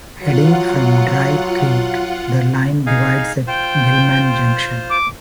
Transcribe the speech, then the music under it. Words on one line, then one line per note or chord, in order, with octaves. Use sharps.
Heading from Dry Creek, the line divides at Gillman Junction.
F#3 F4 F#5
D#4 G#4 F5
F4 C5 G5
D6